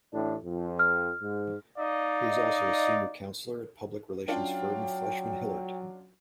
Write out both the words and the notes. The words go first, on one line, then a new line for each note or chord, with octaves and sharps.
He is also a senior counselor at public relations firm Fleishman-Hillard.
A1 A2 D4
F2
F6
G#2
D#4 D5 D#5 F5
F#3 C#4 D4 F4 G5